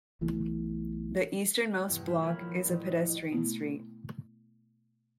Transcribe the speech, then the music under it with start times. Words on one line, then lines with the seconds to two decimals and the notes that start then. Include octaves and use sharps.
The easternmost block is a pedestrian street.
0.21 B1 B2 E3 A3
1.88 E2 G2 C3 E3
2.05 E3 A3 E4 F4
2.22 D#1 A#4 C#5 B5
2.41 F3
2.65 A1
2.86 D#5 F#6
3.32 B2 A3 B3 E4